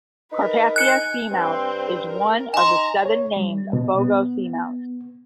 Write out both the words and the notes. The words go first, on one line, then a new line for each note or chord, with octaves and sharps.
Carpathia Seamount is one of the seven named Fogo Seamounts.
D#4 A#4 B4
G#5 F#6 C#7
G2 C4 C5
A#4
D#4 G#5 A#5 C6
C#5
G3
B2
B3